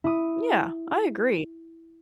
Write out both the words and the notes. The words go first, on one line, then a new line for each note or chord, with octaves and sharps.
Yeah, I agree.
E4 D#6